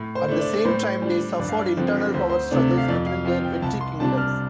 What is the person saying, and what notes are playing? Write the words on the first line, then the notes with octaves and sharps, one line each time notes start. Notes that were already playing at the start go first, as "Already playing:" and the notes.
At the same time, they suffered internal power struggles between their petty kingdoms.
Already playing: A2
C5
A3 D4
D5
A2 C5
G3 D4
G2 D5
F5
D5
D3 F3 C4
D2 C5
C5
C3 A3 D4
F5
F2 D5
F5
F3 C4 F5
G5
C2 A5
C6
C3 G3 D4 A5
F6